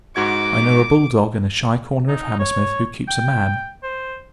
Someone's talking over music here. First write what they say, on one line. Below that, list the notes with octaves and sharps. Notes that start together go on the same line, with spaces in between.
I know a bull-dog in a shy corner of Hammersmith who keeps a man.
G#2 F#4 D6 G#6
D#4
C#5
G5
C5